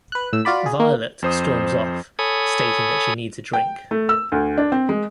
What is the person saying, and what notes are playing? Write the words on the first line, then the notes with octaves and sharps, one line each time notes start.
Violet storms off, stating that she needs a drink.
B4 F#6
A2 E6
F4 F#4 D5 B5
G#4
A#3
F2 C5 D#6
A4 C#5 G#5 B5 D#6
G5
A3
E6
D2
D4
C4
G#3